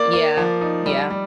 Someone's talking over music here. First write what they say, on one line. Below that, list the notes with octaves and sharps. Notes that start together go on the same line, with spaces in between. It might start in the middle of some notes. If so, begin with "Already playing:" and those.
Yeah, yeah.
Already playing: A#3 D5 D6
A#3
F3
D#4
G3
G3